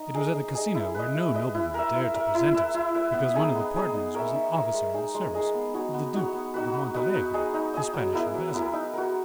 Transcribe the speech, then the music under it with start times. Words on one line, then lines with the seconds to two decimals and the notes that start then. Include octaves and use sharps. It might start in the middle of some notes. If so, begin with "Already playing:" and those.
It was at a casino where no nobleman dared to present himself, because one of the partners was an officer in the service of the Duke de Montalegre, the Spanish Ambassador.
Already playing: D#4
0.14 G#4 D#5
0.35 D#4
0.55 G#4 D#5
0.75 E4
0.95 B4 D#5
1.15 E4
1.34 B4 D#5
1.55 E4
1.74 A#4 E5
1.94 E4
2.14 A#4 E5
2.34 E4
2.54 B4 E5
2.74 E4
2.94 B4 E5
3.14 B3
3.34 D#4 G#4 D#5
3.55 B3
3.74 D#4 G#4 D#5
3.94 D#4
4.14 A#4 C#5 E5
4.34 D#4
4.54 A#4 C#5 E5
4.74 G#3
4.94 D#4 G#4 D#5
5.14 G#3
5.34 D#4 G#4 D#5
5.54 B3
5.74 D#4 F#4 C#5
5.94 B3
6.14 D#4 F#4 C#5
6.33 B3
6.54 D#4 F#4 B4
6.74 B3
6.94 D#4 F#4 B4
7.14 D#4
7.34 G#4 D#5
7.54 D#4
7.74 G#4 D#5
7.94 F#3
8.13 B3 E4 A#4
8.34 F#3
8.54 B3 E4 A#4
8.73 D#4
8.93 F#4 A#4